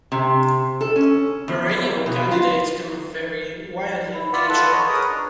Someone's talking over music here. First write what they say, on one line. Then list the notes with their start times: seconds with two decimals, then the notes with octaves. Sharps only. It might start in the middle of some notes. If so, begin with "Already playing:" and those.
Perennial candidates can vary widely in nature.
0.12 C3
0.81 A4
0.96 C#4
1.48 E2
2.06 B2
2.31 F4
4.14 E4
4.33 F4 B4 D5 E5 F#5
4.50 F4 A4 B4 F#5 A5
4.71 C#5 D#5 A5 B5
4.89 G#4 A#4 B4 C#5 D#6
5.10 D4